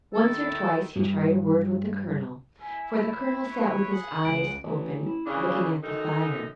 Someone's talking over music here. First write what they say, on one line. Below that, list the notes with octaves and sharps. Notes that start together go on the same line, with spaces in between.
Once or twice he tried a word with the colonel, for the colonel sat with his eyes open looking at the fire.
D#3 E4 A4
G2
E4 E5 G#5
B5
E4 B4 C#5
G#4 F#5
C#2 D7
A1 E3
E4
C#3 E3 A#3 D4 D5
F#2 D#3 D#4 A4